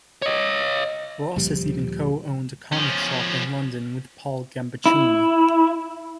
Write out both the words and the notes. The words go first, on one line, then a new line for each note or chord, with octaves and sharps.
Ross has even co-owned a comic shop in London with Paul Gambaccini.
C#5 D#5
D2 A#2 F3 G3
F3 C#4
E4